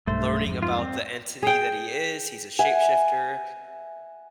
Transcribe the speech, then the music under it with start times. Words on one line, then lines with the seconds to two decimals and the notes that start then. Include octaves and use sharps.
learning about the entity that he is, he's a shapeshifter,
0.07 B1 G2 A3 C5
0.46 F2 G#2
0.63 F4
0.78 C4
1.43 G#4 G5
2.59 E5 F#5 G#5